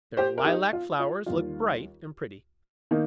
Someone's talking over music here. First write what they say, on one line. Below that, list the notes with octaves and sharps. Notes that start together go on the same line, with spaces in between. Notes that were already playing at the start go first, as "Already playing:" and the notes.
Their lilac flowers look bright and pretty.
G4 C5
A#4
D#4 G4
F4
F4
D#2 D#3 G3 F4
D#3 A#3 D#4